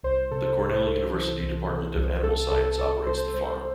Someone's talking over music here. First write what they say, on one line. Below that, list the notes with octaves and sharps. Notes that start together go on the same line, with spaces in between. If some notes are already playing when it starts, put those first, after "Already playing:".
The Cornell University Department of Animal Science operates the farm.
C2 C5
C3 A4
C2
C2 A4
E3
C2
C3
C2
C2 A4
C2 A4
C2 A4
C2 C5
C2 C5